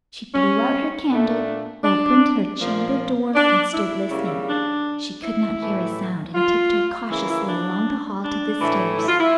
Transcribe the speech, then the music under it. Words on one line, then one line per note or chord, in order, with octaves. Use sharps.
She blew out her candle, opened her chamber door and stood listening. She could not hear a sound, and tiptoed cautiously along the hall to the stairs.
C#4
A#2 A3 D4
D4
A#2 F3 A#3
D4
E4
C#3 G3 A#3
D4
E4
A2 E3 A3
F4
C#3 E3 A#3 E4
E4
D4
D4
A2 E3 A3
E4
F4
E4